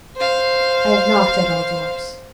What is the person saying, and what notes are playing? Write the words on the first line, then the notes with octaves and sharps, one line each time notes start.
"I have knocked at all doors."
C5 F5